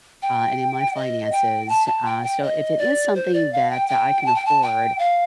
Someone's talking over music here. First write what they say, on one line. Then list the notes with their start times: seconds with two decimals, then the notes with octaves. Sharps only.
uh, and in my finances, uh, so if it is something that I can afford,
0.22 G5
0.95 D#5
1.32 G5
1.69 A5
1.86 A5
2.06 G5
2.24 G5
2.43 D#5
2.78 D5
3.15 C5
3.34 D5
3.53 F5
3.71 G5
3.89 G5
4.26 A5
4.35 G5
4.46 A5
4.62 G5
4.99 F5